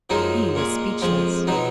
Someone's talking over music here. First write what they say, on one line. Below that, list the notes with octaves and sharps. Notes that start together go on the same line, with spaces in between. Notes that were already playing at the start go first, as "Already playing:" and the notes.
He was speechless.
F#2 F3 G#3 D#4
A#2 G#3
F2 F3 G#3
B2 F#3 D#4